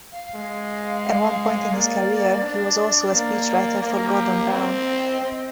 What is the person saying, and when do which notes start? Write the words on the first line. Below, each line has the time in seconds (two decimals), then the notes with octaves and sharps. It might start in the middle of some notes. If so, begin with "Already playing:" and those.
At one point in his career he was also a speechwriter for Gordon Brown.
0.12 F5
0.35 G#3
1.73 A#3 D5
2.43 D4
3.12 A#3 D5
3.82 A#3 A#4
4.06 G4
4.28 G4
4.51 C4 D#5
5.21 C4